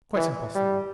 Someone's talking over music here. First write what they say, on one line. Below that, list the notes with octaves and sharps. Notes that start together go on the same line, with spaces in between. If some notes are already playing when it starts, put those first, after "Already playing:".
Quite impossible!
E3
G3